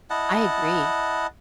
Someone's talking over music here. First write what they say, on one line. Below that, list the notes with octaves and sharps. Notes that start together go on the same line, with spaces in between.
I agree.
E4 D#5 F#5 A5